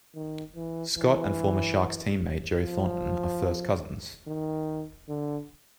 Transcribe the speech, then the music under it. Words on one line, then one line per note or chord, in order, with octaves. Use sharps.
Scott and former Sharks teammate Joe Thornton are first cousins.
D#3
E3
E3
F3
D#3
D3